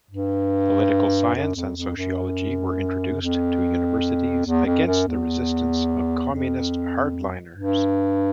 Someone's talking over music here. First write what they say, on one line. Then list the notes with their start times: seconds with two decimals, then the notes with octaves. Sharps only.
Political science and sociology were introduced to universities against the resistance of communist hardliners.
0.11 G2
1.35 F#2
1.56 F2
1.76 F2
1.97 F#2
3.21 F2
4.46 E2
4.66 F2
4.87 F#2
5.07 E2
6.32 F2
7.56 G2